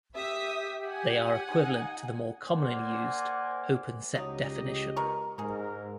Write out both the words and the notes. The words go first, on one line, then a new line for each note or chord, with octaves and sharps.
They are equivalent to the more commonly used open set definition.
G4 E5 D#6 B6
F#5 G#5
D#4
A#3 C5 D5 F#5 G#5
C#2 F#3 D#4 G4 D#5
B3 A#4 C#6
G#2 D#4 G#4 A#4